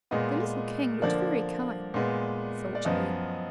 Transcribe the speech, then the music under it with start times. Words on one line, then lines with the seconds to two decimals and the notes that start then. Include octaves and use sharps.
"The little king looked very kind," thought he.
0.11 A#2 G#3 B3 D#5
1.02 D3 F3 A#3 D5
1.94 A#2 G#3 B3
2.75 D5
2.85 F#2 F3 B3 D#5